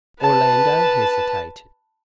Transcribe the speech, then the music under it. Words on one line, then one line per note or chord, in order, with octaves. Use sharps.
Orlando hesitated.
B4 A5